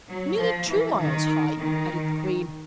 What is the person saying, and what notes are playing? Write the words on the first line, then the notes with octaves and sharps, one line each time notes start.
'Nearly two miles high,' added the Queen.
F#3
F3
E3
D#3
D#3